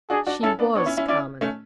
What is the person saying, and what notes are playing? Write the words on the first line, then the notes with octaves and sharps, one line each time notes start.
She WAS CARMEN.
D4 F#4 G#4
D4 F#4
C#4 E4 A4
B3 D4
B3 D4 C#5
C#4 E4
C#4 E4
C#4 E4 D5
A3 C#4